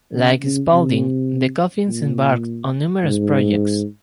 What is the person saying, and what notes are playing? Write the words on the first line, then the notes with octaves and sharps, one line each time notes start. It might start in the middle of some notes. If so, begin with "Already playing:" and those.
Like Spalding, the Coffins embarked on numerous projects.
C#3
C#3
C3
A#2
G#2